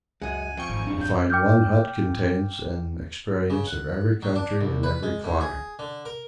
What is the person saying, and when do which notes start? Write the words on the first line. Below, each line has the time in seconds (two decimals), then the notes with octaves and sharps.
We find one hut contains an experience of every country and every clime!
0.22 C#2 F#2 G#3 F#5 G#5
0.57 F2 F5 G5 C#6
0.70 G#1
0.87 D1 F#2 D4
1.01 G6
1.30 G5 D6 F6 G6
3.50 C#3
3.67 F#5
4.23 F#3
4.35 D4
4.61 C2
4.83 B4
5.03 G#3
5.24 A2
5.41 G#4
5.79 D3
6.05 A#4